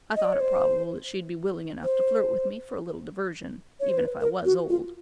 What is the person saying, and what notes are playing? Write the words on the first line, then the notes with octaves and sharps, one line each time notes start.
I thought it probable that she'd be willing enough to flirt with me for a little diversion, even if I was old.
D#5
D5
C#5
C5
C5
C#5
C5
B4
A#4
F#4
F4